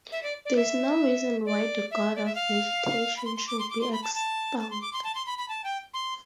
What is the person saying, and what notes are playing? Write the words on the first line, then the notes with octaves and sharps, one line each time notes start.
There is no reason why the god of vegetation should be expelled.
E5
D5
D5
E5
D5
E5
D5
E5
F5
B5
C6
C6
D6
C6
D6
C6
B5
A5
A5
A5
C6
D6
C6
A5
C6
B5
B5
A5
G5
C6